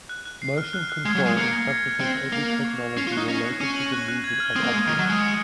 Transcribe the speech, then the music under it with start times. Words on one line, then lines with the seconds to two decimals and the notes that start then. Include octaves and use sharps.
Motion Control encompasses every technology related to the movement of objects.
0.09 F#6
0.25 F#6
0.42 C7
0.58 F6
0.73 F#6
0.89 F#6
1.05 G#3 G#6
1.15 F#3
1.21 G#3 G#6
1.37 A#3 C#7
1.53 A#6
1.70 G#6
1.85 C#7
2.00 C4 C7
2.16 F#6
2.33 A#3 F7
2.49 G#6
2.65 C#6
2.81 C#6
2.97 C#4 C7
3.07 F4
3.12 F#6
3.17 D#4
3.28 C#4 A#6
3.44 F#6
3.60 C#4 D#7
3.76 F#7
3.92 F#6
4.08 F#6
4.24 G#6
4.40 F6
4.56 C4 D#6
4.63 A#3
4.71 G#3 G#6
4.87 D#3 D#6
4.99 F#3
5.04 F#6
5.09 G#3
5.20 C#7